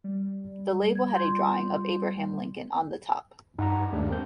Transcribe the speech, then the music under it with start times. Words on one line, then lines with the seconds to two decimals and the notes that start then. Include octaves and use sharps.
The label had a drawing of Abraham Lincoln on the top.
0.04 G3
0.95 G#6
1.12 F4 C6 G6
3.59 G2 D#4 F#5 A#5
3.93 D#2 G#3 A3 D4
4.11 C4 A#4 G6